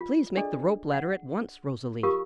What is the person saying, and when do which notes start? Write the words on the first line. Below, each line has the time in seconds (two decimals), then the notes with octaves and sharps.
"Please make the rope ladder at once, Rosalie!"
0.01 F4
0.37 D4 G#4 A4 D5 D#5
0.93 F#5
2.03 F4 G4 A#4 F5 C#6 D#6